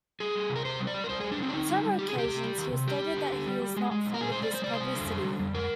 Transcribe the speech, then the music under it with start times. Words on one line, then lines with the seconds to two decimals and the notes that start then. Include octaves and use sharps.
On several occasions he has stated that he is not fond of this publicity.
0.20 G3 G#4
0.35 G3
0.50 C3
0.56 A#4
0.65 C3 C5
0.80 G3
0.87 D5
0.94 G3
1.04 A#4
1.09 G3 C5
1.20 G#4
1.24 G3
1.32 D4
1.39 D3 C4
1.49 D4
1.54 D3 D#4
1.69 G3
1.83 G3
1.98 D#3 G4
2.08 G#4
2.13 C3
2.18 G4
2.28 C3
2.43 G3
2.58 D#3
2.73 C3
2.87 G3 G4
3.02 G3
3.17 D3
3.32 D3
3.47 G3
3.62 G3
3.77 G#3
3.91 G#3
4.06 A#2
4.14 A#4
4.21 A#2 G#4
4.32 C5
4.36 G#3
4.43 D5
4.51 G#3 C5
4.64 G3 D5
4.73 C5
4.80 G3
4.95 D3
5.10 D3
5.25 G3
5.39 G3
5.54 G#3 A#4